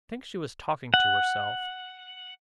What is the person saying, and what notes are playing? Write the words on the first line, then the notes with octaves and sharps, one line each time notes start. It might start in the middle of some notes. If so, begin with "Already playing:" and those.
I think she was talking to herself.
F#5